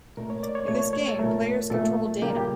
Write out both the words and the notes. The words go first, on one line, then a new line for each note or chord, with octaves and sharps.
In this game, players control Dana.
A#2 A3 A#4
C#5
D5
C#5
A#2 A3 C#5
C#5
A4
A#2 A3 A#4
A#2 A3 A4
C#3 G3 A#3 G4
F4
G4